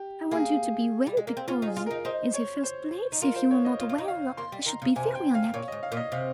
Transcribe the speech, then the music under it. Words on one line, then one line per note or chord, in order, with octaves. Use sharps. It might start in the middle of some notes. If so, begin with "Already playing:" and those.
I want you to be well, because, in the first place, if you were not well, I should be very unhappy.
Already playing: G4
A#3 G#4
G3
G#3
A#3
C4
C#4 F4
D#4
G#4
F4
D#4 A#4
D#4 C5
C#5
C5
D#4
F4 A#4
C5
C#5
D#5
F4 D#5
F4
D#4
F5
A#3 C6
G3
D#3 A#5
C#3
C3 G#5
G5
F5
A#2 C#5
G#2 D#5
F5
A#2
D#5
C3 F5